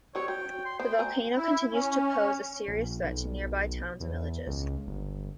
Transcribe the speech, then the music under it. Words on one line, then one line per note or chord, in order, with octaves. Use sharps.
The volcano continues to pose a serious threat to nearby towns and villages.
F#3 G3 C4 C#5
F#3 G5
C6
B3 C5 G5
A3 G#5 A#5
E4
C#4
A#1
B1
E2
C#2
G1